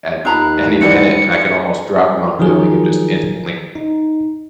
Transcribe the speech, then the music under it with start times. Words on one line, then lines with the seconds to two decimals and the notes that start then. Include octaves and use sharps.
at any minute, and I can almost drop what I'm doing and just instantly
0.25 D#2 D#4 F4 A#5 B5 F#6
0.81 D2 E3 G3 C#7
2.39 D#3 F3 F#3 G#4 A#4
3.75 D#4